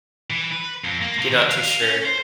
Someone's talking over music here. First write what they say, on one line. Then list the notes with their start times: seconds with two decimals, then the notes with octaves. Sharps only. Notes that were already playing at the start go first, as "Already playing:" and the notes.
You're not too sure.
0.30 E3
0.51 B4
0.84 F2
1.01 A#3
1.19 C3
1.32 D#3
1.50 F5
1.81 C#4
2.05 C5